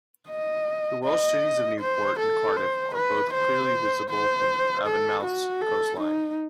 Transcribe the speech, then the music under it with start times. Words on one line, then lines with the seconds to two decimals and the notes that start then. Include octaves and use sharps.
The Welsh cities of Newport and Cardiff are both clearly visible from Avonmouth's coastline.
0.29 D#5
1.04 D#5
1.80 C5
2.19 A4
2.57 C5
2.95 B4
3.34 C5
4.10 C5
4.86 A4
5.24 F#4
5.61 A4
6.00 D#4